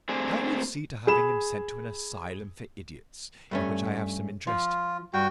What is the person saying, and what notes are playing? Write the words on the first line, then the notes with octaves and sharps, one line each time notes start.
I will see to having him sent to an asylum for idiots in which I have some interest.
A3 C4 D4 G#4
G#4 B5 E7
G2 A3 C#4
F3 F4
G2 F#4 G5